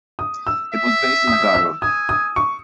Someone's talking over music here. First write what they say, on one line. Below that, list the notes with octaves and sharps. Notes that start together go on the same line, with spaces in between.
It was based in Agaro.
D#6
E6
E5
D#6
E6
G#5 D#6
D#6
C#6